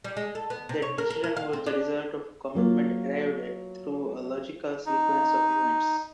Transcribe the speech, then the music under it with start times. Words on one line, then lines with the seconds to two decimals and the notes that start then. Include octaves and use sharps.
That decision was the result of a commitment arrived at through a logical sequence of events.
0.04 G3
0.17 G#3
0.35 A4
0.50 B3
0.69 C3
0.82 C#5
0.98 A#4
1.10 A#4
1.24 A#4
1.37 F5
1.53 C4
1.66 D4
2.55 F#3 A#3 F4
4.86 D#4